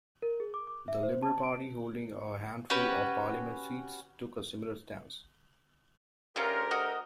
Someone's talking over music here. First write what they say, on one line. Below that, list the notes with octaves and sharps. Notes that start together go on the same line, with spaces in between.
The Liberal Party, holding a handful of parliament seats, took a similar stance.
A#4
G#4
D6
D6
E5
C5
A5
D7
C#4 F#4 G4 B4
D2 C4 C#4 F4 G4 A#4
F#4 D#5